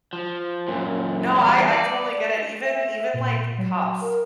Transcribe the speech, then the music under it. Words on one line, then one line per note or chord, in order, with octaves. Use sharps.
No, I I totally get it, even even like cups.
F3
F#2 A#2
E2 G3
D5
E5
A#2
F#3
A#4